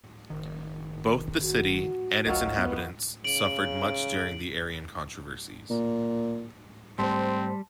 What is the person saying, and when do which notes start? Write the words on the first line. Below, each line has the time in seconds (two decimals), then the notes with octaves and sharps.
Both the city and its inhabitants suffered much during the Arian controversies.
0.30 F#1 D#3
1.42 F#4
2.26 A1 D2 D#3 F#3 F4
2.57 B3
3.24 C#3 D7 F#7
5.70 A#2
6.99 G#2 G3 A3 C4 C5 A5 C6